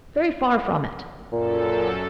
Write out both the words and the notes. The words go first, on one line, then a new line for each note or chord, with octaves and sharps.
Very far from it.
F#2 A#2 A4